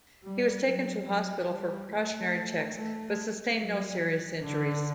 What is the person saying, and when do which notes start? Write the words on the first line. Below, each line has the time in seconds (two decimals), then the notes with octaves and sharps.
He was taken to hospital for precautionary checks, but sustained no serious injuries.
0.24 G3
0.66 F#3
1.07 F#3
1.50 G3
1.92 A3
2.76 A3
3.60 F#3
4.43 D3